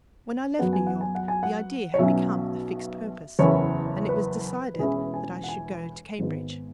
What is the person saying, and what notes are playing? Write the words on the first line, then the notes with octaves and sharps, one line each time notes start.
When I left New York the idea had become a fixed purpose; and it was decided that I should go to Cambridge.
F#2 F#3 B3 F#5
G#5
F#5
G#5
F#5
G#5
F#5
C#5
B1 B2 F#3 C#4 E5
F#1 E2 E3 C#4 E4 C#5
B4
B4
E1 E2 E3 C#4 E4 G#4
G#5
F#5
G#5
G#1 G#2 G#3 B3